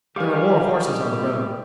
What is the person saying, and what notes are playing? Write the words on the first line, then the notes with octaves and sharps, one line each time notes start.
There were more horses on the road.
D#3 G3 G4 G#4 B4 F5 D6